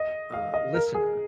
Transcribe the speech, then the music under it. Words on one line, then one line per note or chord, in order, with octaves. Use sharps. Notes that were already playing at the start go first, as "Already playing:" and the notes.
uh, listener?"
Already playing: D#5
F5
D#5
A#4
G#4